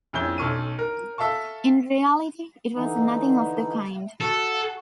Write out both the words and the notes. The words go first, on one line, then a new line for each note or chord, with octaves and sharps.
In reality it was nothing of the kind.
A#1 F2 C#4 E4 G6 G7
B1 C#4 A4 C#6 F6 D#7
A#4
A4 E5 F5 A5 C#6
D3 E3 D#4
F#4 A4